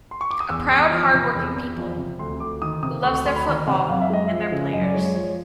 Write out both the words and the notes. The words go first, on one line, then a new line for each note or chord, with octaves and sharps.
A proud, hard-working people, who loves their football, and their players.
C6
C#6
D6
D#6
E2 E6
E2 D#6
F3 F6
E6
C3 A#5
B5
E2
E2
F3
C3
D2 C6
D2 D6
D#3 D#6
C3 D#6
D2 C#6
C#6
D2 C6
B5
D#3 A#5
C3 F#5
F#2 F5
E5
G#3 D#5
F3 E5
C#3
F#2 D#5
D5
G#3 C#5
C#5
F3 C#5